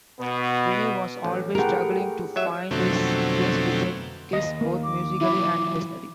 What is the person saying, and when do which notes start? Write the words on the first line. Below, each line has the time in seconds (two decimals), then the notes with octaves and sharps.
Vinnie was always struggling to find his place within Kiss, both musically and personally.
0.19 B2 B3
1.24 A1
1.55 A2 G4 G#4 A#4 F#5
2.36 F#3 E5
2.71 F2 B2 D3 F#3 A3 C4
4.33 D#2 D#5
4.61 A#3
4.83 D6
5.21 E3 F#3 E4